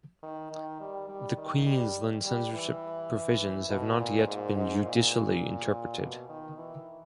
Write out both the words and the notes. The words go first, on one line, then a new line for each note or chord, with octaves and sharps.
The Queensland censorship provisions have not yet been judicially interpreted.
D#3
D#3
G3
G3
D#3
G3
G3
E3
B2
A#2
G#2
G#2
A#2
B2
D#3
E3